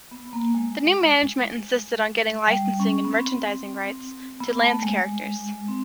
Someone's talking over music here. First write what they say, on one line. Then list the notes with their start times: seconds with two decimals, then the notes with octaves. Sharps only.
The new management insisted on getting licensing and merchandising rights to Lantz's characters.
0.11 B3
0.33 A#3
0.55 G#3
2.48 G3
2.80 C#4
3.05 B3
3.12 C4
4.40 B3
4.62 A3
4.83 G#3
5.68 C4